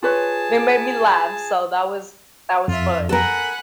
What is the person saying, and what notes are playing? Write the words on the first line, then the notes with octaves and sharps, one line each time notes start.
It made me laugh, so that was that was fun.
F4 G#4 B4 C#5 A5
F2 F4 E5
A4 A#4 F#5 G#5 B5